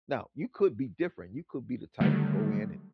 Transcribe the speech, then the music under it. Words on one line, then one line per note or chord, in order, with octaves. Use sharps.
Now, you could be different, you could be the type that go in and
D3 D#3 F#3 G3 A3